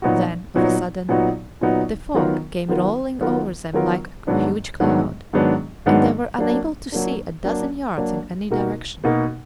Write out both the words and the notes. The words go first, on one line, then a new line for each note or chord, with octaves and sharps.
Then, of a sudden, the fog came rolling over them like a huge cloud, and they were unable to see a dozen yards in any direction.
A#2 F#3 B3 D#4 F#4
A#2 F#3 B3 D#4 F#4
A#2 F#3 B3 D#4 F#4
A#2 F#3 B3 D#4 F#4
D#3 F#3 B3 F4 A#4
D#3 F#3 B3 F4 A#4
D#3 F#3 B3 F4 A#4
D#3 F#3 B3 F4 A#4
G#2 D#3 F#3 B3 D4
G#2 D#3 F#3 B3 D4
G#2 D#3 F#3 B3 D4
G#2 D#3 F#3 B3 D4
F#3 A#3 D4
F#3 A#3 D4
F#3 A#3 D4
F#3 A#3 D4
B2 A#3 D#4 F#4 A#4
B2 A#3 D#4 F#4 A#4